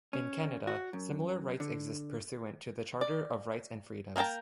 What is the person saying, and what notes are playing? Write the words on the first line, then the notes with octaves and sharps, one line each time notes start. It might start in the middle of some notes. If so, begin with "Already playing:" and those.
In Canada, similar rights exist pursuant to the "Charter of Rights and Freedoms".
C#4
F#4
F#2
D3
D5
A#3 A#4 G5 A5 A#5